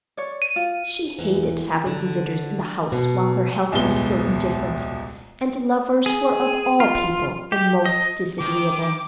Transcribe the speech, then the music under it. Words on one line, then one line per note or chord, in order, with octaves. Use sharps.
She hated having visitors in the house while her health was so indifferent, and lovers were of all people the most disagreeable.
C#5 D5
D#7
F4
E2
D3
B2
D#1 C2 B2 G#3 B3 G7
G#4
F4
G4
D#5
D#3 D6